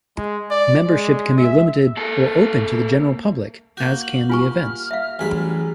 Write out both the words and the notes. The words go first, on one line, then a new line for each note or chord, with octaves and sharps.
Membership can be limited or open to the general public, as can the events.
G#3
D5
G#3
E5
A#3 A4
A#3 F#4 G6
F#7
F4 G4 G#5 C#6 F6
E5 F5
A1 F#3 G3 G#4 B5